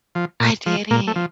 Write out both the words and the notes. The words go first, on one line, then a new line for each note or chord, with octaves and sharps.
I didn't.
F3
A#2
F3
A#2 A#3
A3
F3